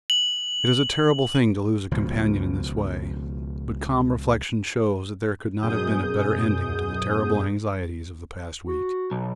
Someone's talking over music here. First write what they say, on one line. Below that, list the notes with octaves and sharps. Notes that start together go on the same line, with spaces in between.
It is a terrible thing to lose a companion in this way, but calm reflection shows that there could not have been a better ending to the terrible anxieties of the past week.
F#7
C#2 B2 F3
F#2 B2 G#4 D#6 G6
F#4
B1